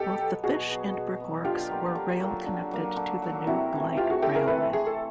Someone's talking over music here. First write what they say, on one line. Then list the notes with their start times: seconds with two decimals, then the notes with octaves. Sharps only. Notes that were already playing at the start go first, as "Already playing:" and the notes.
Both the fish and brick works were rail connected to the new light railway.
Already playing: B2 G4 A4
0.18 F#3 B3
0.44 B2 F#4 G#4
0.69 F#3 B3
0.94 B2
1.20 F#3 B3
1.45 D3 F4 G4
1.69 F#3 A#3
1.95 D3
2.20 F#3 A#3
2.46 D3
2.71 F#3 A#3
2.96 D3
3.22 F#3 A#3
3.47 C3 E4 F#4
3.72 E3 A3
3.97 C3 F4 G4
4.10 F#4 G#4
4.22 E3 A3 G4 A4
4.35 G#4 A#4
4.47 C3 A4 B4
4.73 E3 A3 G#4
4.87 A4